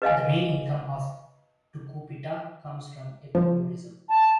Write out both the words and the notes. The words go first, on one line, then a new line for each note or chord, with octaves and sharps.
The main income of Tucupita comes from eco-tourism.
B4 D#5 F5 G#5
F3
A5